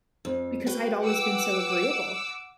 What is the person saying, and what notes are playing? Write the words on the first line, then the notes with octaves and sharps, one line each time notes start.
because I'd always been so agreeable.
F2
F#4 B4 G5
F#5 D6 E6